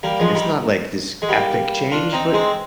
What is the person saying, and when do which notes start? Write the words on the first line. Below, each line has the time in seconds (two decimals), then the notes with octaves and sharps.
and it's not like this epic change, but
0.03 G3 A#3
0.20 F3 G#3
0.35 D#3 G3
1.22 G#3
1.29 G3 A#3
1.91 D4 F4
2.13 C4 D#4
2.33 G#3 C4